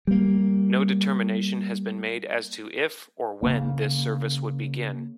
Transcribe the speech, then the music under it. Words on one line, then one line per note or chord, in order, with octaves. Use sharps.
No determination has been made as to if or when this service would begin.
G3 A#3
C#3 A#3